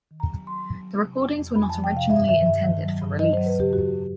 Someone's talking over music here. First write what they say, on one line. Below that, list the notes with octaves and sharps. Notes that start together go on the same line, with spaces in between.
The recordings were not originally intended for release.
D#3
A#5
F#3
F#3 C6
F#3
F#3
C3
F2
F2
F2 B5
G#5
F3 A5
G5
C3 F5
G2 E5
D#3 E5
G2 E5
D#3
F#3
G2
F#3 D#5
F#3 C5
B4
C#3 G4
F2 F#4